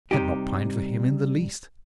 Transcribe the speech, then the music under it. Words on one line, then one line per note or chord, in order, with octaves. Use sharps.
I had not pined for him in the least.
C3 G3 D#4 G4